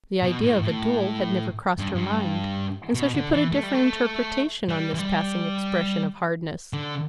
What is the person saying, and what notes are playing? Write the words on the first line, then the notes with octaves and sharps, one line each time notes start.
The idea of a duel had never crossed her mind, and so she put a different interpretation on this passing expression of hardness.
B2
A2
A2
G2
G2
B2
D3
E3
A3
G3
A3
G3
E3
G3
D3